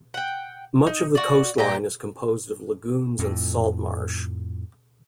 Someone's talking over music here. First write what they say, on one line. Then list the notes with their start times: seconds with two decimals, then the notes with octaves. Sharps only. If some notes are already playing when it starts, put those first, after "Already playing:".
Much of the coastline is composed of lagoons and salt marsh.
0.14 F#5 G5
0.87 D#4
1.15 F#4 D5
1.58 A#2 G4 A#5
3.19 F2 A2